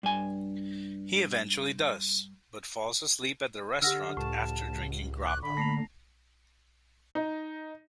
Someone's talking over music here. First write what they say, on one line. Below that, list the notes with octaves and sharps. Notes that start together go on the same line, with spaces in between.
He eventually does, but falls asleep at the restaurant after drinking grappa.
G2 G#5
D3 G4 F#5 E6 F6 A#6
C#2 A2 A5
C#6 D6 F#6
D3 B5
A3 A#3 A#6 C7 F7
D#4